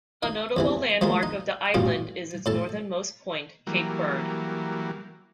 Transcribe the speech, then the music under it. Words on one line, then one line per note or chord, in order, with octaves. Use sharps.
A notable landmark of the island is its northernmost point, Cape Byrd.
D#4
E2 C3 E3
F3 G#3 A#3 F4
D#4
A1 G2 B2 F4
A2 A4 A5
E3 F#3 G3 A#3